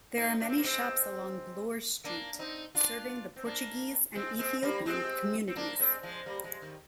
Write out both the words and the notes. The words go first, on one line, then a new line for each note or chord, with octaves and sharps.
There are many shops along Bloor Street serving the Portuguese and Ethiopian communities.
C4 D#4
D4
C4
A#3
G#3 C4
A#3 D4
C4 D#4
D4 F4
C4
A#3 D4
G#3 C4
G#3 C4
G3 A#3
G#3 C4
C4
A#3 D4
G#3 C4
F3 G#3
G3 A#3
F3 G#3
D#3 G3